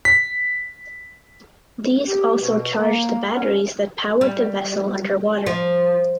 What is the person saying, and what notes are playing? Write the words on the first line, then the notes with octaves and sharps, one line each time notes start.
These also charged the batteries that powered the vessel underwater.
B6
G4
B2
A#3
C#4
G3
F3